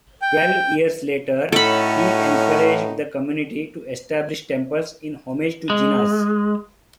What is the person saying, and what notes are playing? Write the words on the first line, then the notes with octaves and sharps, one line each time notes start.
Twelve years later, he encouraged the community to establish temples in homage to Jinas.
G5
A2 C#4 D#4 F#4 A4 B5
G#3